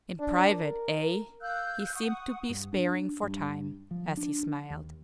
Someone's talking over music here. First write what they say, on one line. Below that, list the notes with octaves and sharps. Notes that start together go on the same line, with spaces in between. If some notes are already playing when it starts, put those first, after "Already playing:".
"In private, eh?"--he seemed to be sparring for time, as he smiled.
D4
A#4
F5 E6 F#6 G6
F#5 C#6 D#6
G2
D4
G2
F3
D4
D#2